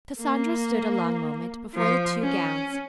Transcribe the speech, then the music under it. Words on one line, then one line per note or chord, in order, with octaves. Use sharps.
Cassandra stood a long moment before the two gowns.
A#3
F3
C#4